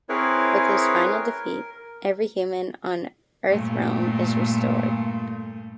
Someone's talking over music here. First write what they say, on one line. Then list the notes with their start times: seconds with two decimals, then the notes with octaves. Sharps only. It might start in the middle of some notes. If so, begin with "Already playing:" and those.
With his final defeat, every human on Earthrealm is restored.
0.09 C4 E4 G#4 A#4 B4 C#5
1.08 A#4
3.47 G2 A#2 A3